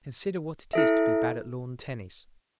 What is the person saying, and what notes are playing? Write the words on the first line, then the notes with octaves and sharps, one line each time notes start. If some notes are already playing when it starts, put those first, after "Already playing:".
Consider what it is to be bad at lawn tennis.
E4 A4 E5